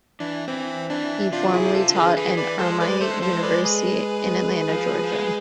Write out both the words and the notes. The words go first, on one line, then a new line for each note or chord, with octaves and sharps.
He formerly taught at Emory University in Atlanta, Georgia.
E3 D4
E3 C4
E3 D4
C3 D4 F4
F4
E4 G#4
C3
F4 A4
D3
G#4 B4
E3 G#4 B4
B4 D5
G#3 A4 C5
B4 D5
A3 A4 C5
G#3
F3 A4 C5
G#3
B4 D5
G#4 B4
F3
F3
G#3